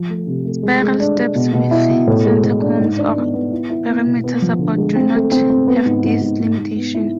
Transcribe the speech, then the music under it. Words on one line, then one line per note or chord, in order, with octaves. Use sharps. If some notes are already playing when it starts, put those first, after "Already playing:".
Spiral steps with center columns or perimeter support do not have this limitation.
Already playing: F3
A3
C3
A3
G#3
G#3
D4
G#3
B2
B2
E4
B2
A2
G#3
A2
D4
G#2
D4
B3
B3
E4
E4
B3
B2
B3
F3
D3
G#3
C4
A3
C4
C4
B3
G#2
G#2
G#2
G#2
G#2
B3
E4